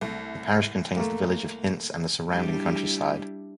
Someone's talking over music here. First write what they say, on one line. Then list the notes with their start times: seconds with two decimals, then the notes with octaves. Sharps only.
The parish contains the village of Hints and the surrounding countryside.
0.01 C2 A3
0.97 A3 A#3
2.32 G3 D4 E4